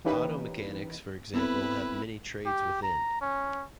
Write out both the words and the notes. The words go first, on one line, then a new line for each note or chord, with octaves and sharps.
Auto mechanics, for example, have many trades within.
E3 A#3 C#4 D#4 G4 B4
B3 C4 E4 A4 B4
G4
A#5
C#4